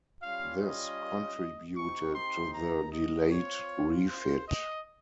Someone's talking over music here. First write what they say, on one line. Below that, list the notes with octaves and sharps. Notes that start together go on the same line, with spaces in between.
This contributed to the delayed refit.
G3 C#4 F4 F5
D#5
C4 D#4 G4 C#6
C6
A#5
D#5
C4 F4 C#5
C5
D#5